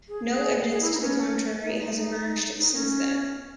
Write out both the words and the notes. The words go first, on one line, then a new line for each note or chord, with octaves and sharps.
No evidence to the contrary has emerged since then.
G#4
G#4
E4
D#4
C#4
D#4
D#4
D#4
D#4
C#4